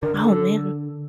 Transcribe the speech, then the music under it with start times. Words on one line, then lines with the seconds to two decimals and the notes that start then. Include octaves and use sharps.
Oh, man.
0.02 D3 A#4
0.24 A4